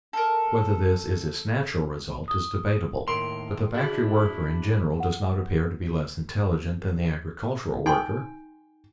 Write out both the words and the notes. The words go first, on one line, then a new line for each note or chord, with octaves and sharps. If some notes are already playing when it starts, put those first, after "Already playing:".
Whether this is its natural result is debatable, but the factory worker in general does not appear to be less intelligent than the agricultural worker.
A4 A#4
D#6 G7
D#2 A2 A#4 C6 D7
D4 E4 F#4 G#4 A6
F#5
D#4 G5 G#5 C6